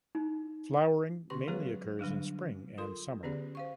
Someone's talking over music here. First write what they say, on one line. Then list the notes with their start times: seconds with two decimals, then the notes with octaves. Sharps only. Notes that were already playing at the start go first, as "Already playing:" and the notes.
Flowering mainly occurs in spring and summer.
0.15 D#4
1.30 D3 C#4 G4 C6 C#6
1.48 F#3 G#3 B3 G#4 B4 C#5
1.99 D3 F#3 G3 D4
2.78 F4 A4 A#4 C6
3.23 D3 B3 C#4 G4 G#4 D5
3.55 C5 F5 C#6